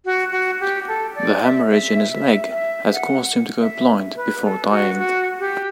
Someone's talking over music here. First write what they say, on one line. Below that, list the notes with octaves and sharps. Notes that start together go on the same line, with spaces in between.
The hemorrhage in his leg had caused him to go blind before dying.
F#4
F#4
G4
A4
D5
E5
E5
E5
E5
F#5
E5
B4
A4
F#4
F#4
G4